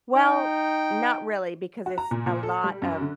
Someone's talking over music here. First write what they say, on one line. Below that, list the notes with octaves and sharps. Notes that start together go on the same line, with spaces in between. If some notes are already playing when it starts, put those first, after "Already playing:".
Well, not really because it's a lot of
D#4 G5
F#4
A#5
A#2
A#2
A4
G3
F#2
D3